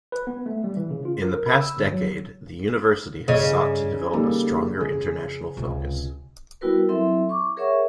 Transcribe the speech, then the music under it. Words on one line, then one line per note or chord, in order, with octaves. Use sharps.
In the past decade, the university has sought to develop a stronger international focus.
B4
B3
A3
G3
E3
C#3
F4
A#4
B5
E6
G1
F#3
G2 C#3 D5 D#5
E3 G3 A#3 D#4 A4
F2 G#4
C#2 C3
G3 B3 E4 F#4 A#4 B4
F#3 C4 E4 A4 E5 C6
C#6 D6
G#4 A#4 C#5 E5 F#5 C#6